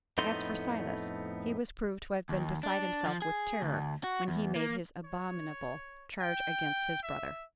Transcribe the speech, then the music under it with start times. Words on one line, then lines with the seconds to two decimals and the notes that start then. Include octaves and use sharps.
As for Silas, he was proved to have been beside himself with terror when he made his abominable charge against his brother.
0.18 F2 A2 A3 B3 D#4 C6
2.29 D#2
2.63 D4
3.06 F3
3.22 G#4
3.62 D2
4.04 F#4
4.28 E2
4.56 A#3
5.04 C#5
6.20 G5
7.03 E5